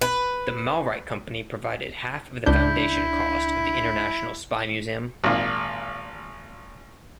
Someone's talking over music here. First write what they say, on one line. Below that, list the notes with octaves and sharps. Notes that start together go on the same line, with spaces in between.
The Malrite Company provided half of the foundation cost of the International Spy Museum.
B4
C#2 D4 E4 G6
G#1 A#2